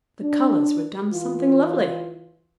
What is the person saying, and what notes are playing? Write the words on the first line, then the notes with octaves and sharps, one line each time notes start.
The colours were done something lovely.
D4
E3 F4